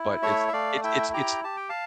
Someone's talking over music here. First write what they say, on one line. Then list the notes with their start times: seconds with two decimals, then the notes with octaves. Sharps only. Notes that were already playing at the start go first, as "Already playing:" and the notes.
but it's it's it's it's
Already playing: E4
0.22 A3 C#5 E5
0.48 E5
0.53 A3 D5 F5
0.83 E4 E5 G5
1.14 G4 G5 A#5
1.44 G4 A5
1.56 G5
1.69 F5 A5